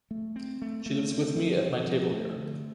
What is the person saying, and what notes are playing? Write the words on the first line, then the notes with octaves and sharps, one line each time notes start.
She lives with me at my table here.
A3
C4
A3
A3
C4
F3
C4
F3
A3
D3